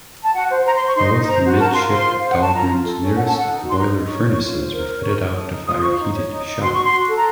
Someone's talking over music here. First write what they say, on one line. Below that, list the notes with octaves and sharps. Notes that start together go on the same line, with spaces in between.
Both amidship Dahlgrens nearest the boiler furnaces were fitted-out to fire heated shot.
A5
F#4 F#5
C5
C5 A#5
C6
C5
C#6
D#4 C6
D#4
C5 A#5
F#4
A#4 A5
F4 C6
C5 C6
C5
C5 F5
F#5
F#4 A5
F4 A#5
F4
A4
C#4
A4 F#5
A5
A4 F#5
D#4
F#4
C6
D#4 A#5
D#4
C#5 C#6
C#5
F4
C5
A#4
C#5
A#4 C#6
C#5
A4 D#6
D#4
F4 D#6
D#6
C5 C#6
D#4
C#5
D#4
D#4
F#4 C6
F#4 C#6
C6
F#4
A4
A#5